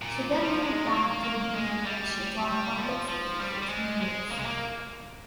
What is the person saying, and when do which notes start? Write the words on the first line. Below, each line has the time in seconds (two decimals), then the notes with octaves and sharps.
She then moved back to Wheeling where she taught public school for two years.
0.02 A#2
0.32 F3
0.41 G3
0.49 F3
0.63 G#3
0.94 A#3
1.24 A#3
1.55 G#3
1.85 G3
2.77 F3
3.08 F3
3.39 G3
3.62 G3
3.69 G#3
4.00 G#3
4.31 A#3
4.39 G#3
4.46 A#3